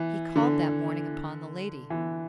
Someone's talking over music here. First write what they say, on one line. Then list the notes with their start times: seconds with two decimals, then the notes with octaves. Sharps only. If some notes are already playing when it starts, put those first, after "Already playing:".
He called that morning upon the lady.
Already playing: E3
0.36 D3
1.90 E3